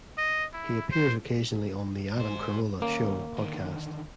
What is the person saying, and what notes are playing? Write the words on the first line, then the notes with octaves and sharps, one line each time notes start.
He appears occasionally on "The Adam Carolla Show" podcast.
D#5
E4
C5
G#2 C5
D#2 A#3 C#4
D3 D#3